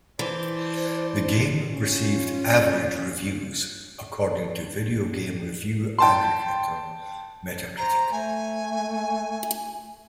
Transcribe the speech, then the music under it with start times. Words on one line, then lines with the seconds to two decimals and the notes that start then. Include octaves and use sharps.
The game received "average" reviews, according to video game review aggregator Metacritic.
0.19 E3 C5 D5 A5 C6
1.73 C#4 F4
5.98 G5 A5 C6
7.78 C5 A#5
8.12 A3 G#5